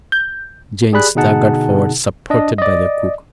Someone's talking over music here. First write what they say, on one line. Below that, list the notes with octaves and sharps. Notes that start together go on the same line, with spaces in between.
Jane staggered forward supported by the cook.
G6
G4 G#4 D5 B5 F#6
B2 D3 D#4 G#4 F#5 A5
D4 D#5
D5 D#5